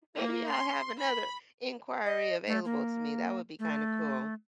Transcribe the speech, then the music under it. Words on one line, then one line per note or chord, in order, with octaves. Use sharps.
maybe I'll have another inquiry available to me, that would be kinda cool.
A#3
C6
B5
D#5
A3
A#3
A3